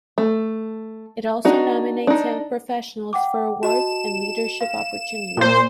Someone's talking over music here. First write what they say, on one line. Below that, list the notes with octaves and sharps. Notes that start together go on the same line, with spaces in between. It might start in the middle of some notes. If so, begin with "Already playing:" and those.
It also nominates young professionals for awards and leadership opportunities.
A3
D4 D#4 F#4
D4 D#4
F#5 G5 D6
F#4 D#5 A5 E7
F5
A#2 C5